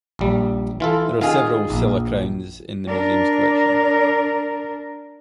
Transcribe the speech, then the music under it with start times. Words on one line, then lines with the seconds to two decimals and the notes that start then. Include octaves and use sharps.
There are several Silla crowns in the museum's collection.
0.19 A#1 G3
0.80 E3 F4 A4
1.21 D#3 F4 G#4
1.70 A#1
2.87 D4 A#4